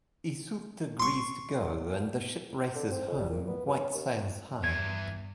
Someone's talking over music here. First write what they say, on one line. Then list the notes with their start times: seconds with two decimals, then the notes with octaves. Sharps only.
Iseult agrees to go, and the ship races home, white sails high.
1.00 C6 C#6
2.75 D3
2.91 C4
3.07 F2
3.19 G3
3.30 A#2
3.48 B3
3.66 G2
3.79 C#4
3.94 D#2
4.64 E2 G2 G#6